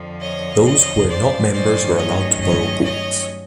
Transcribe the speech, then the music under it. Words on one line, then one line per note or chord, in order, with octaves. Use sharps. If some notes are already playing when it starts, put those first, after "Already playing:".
Those who were not members were allowed to borrow books.
Already playing: F2 D3 F3
C#5 D#5
C#5 D#5
C5 D5
G2 D#3 F#3 A3 C#4 C5 D5
C#5 D#5
C#5 D#5
C#5 D#5